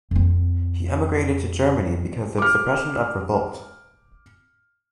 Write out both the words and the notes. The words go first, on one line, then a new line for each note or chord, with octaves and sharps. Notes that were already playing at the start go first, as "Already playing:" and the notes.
He emigrated to Germany because of suppression of revolt.
F2 C4
D6 F6